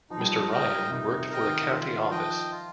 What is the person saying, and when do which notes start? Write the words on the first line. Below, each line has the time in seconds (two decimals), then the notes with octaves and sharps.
Mr. Ryan worked for the County Office.
0.10 F3 D#4
0.20 G3
0.29 F3
0.50 F3 A#4 D#5 G5
0.90 C3 D#4
1.17 C3
1.30 A#4 D#5 G5
1.44 D#3
1.70 D#3 F4
2.10 F3 D#5 G5
2.51 F4